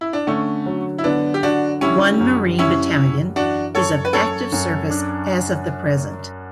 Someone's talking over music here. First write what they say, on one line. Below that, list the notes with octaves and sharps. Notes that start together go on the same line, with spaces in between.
One Marine Battalion is of active service as of the present.
E4
D4
D3 A3 C#4
F#3
E4
D3 B3 D4
G4
D3 D4 F#4
G3 C#4 E4
F#2
F#2 C#4 E4
F#2
E3 D4 F#4
F#2 A4 C#5
B4
F#2 A4 C#5
F#2
D4